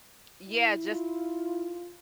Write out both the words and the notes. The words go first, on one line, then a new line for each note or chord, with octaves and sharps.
Yeah, just
E4
F4